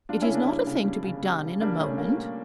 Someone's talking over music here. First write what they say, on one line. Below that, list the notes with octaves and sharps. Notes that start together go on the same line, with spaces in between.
'It is not a thing to be done in a moment.'
G3 D4 F4
C#4 E4
C#3
A#3 D4
G3 C#4 E4
C#3
G3
C#3
G3
C#3
G3 A#3 D4
A#2 A3 C#4
G3 A#3
A#2